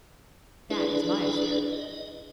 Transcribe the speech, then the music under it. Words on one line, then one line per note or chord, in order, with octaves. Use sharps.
'That is my affair.
D4 E4 G#4 B4 D5
D#5